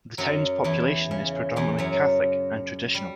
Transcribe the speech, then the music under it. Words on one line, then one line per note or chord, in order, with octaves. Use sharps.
The town's population is predominantly Catholic and traditional.
F#2 F#3
E2 E3
C#3
E2 E3
F#2 F#3
G3